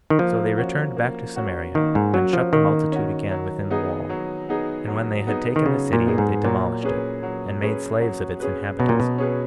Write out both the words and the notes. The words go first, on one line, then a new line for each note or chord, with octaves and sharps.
So they returned back to Samaria, and shut the multitude again within the wall; and when they had taken the city, they demolished it, and made slaves of its inhabitants.
D#3
F3 A#3
C#4 F#4
A#3
C#4 F#4
D#3 A#3
G#2
F#3 C#4 F#4
F3
D#3 A#3
C#4 F#4
F#3
B3 D#4 G#4
F#3
B3 D#4 G#4
F#3
B3 D#4 G#4
D#3
C#3 F#3
A#2
B3 D#4 G#4
G#2
A#2 F#3
C#4 G#4 B4
F#3
C#4 G#4 B4
F#3
C#4 G#4 B4
B2 F#3
A#2
B2
C#4 G#4 B4